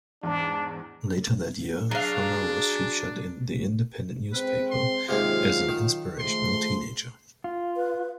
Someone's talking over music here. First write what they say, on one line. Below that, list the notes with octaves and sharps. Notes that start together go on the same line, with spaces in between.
Later that year, Fuller was featured in "The Independent" newspaper as an "inspirational teenager".
E2 G#2 D4
F#3 D4 G#4 F5
C3 G#3 C4 B4
C6
D#2 G#2 C3 F#3 F4 F5
D#3
F3 G#3 A3 C6
F4
B4